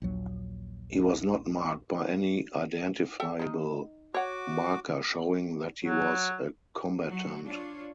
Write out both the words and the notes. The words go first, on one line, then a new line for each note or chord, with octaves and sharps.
He was not marked by any identifiable marker showing that he was a combatant.
A#1 D#2 F#3
A4 E5 G5
D#3 D#4
F#4 C#5 F#5 D6
F#3
F#3
D4 F4 C#5